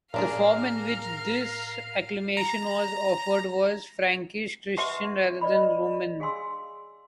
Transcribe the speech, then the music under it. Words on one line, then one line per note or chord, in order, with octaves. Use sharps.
The form in which this acclamation was offered was Frankish-Christian rather than Roman.
A2 A#3 D4 G#4 A#4 F5
A#5
B4 E5 F#5 A5 C6 C#6
B4 D5 D#5 B5
G#4 F5 G#5 C6 E6